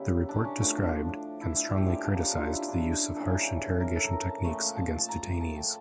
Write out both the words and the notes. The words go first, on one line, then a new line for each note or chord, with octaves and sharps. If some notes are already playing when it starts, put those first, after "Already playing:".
The report described, and strongly criticized the use of harsh interrogation techniques against detainees.
Already playing: C#3 G3 A#3 E4
D4
C#4
A2 F3 A3 D4
D4
E4
D4
E4
G4
C#3 F3 A#3
D4
D4
F4
E4
D4
C#3 E3 A#3 D4
A#4
A4
A#4
A5
A#2 F3 A3
A5
A5
A5
A#5
A5
G5